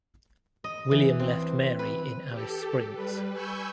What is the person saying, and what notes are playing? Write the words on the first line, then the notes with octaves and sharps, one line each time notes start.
William left Mary in Alice Springs.
D#5
E3
C4
B4
G4 A4
G3 B4
G#5 B5 C#6 E6 G6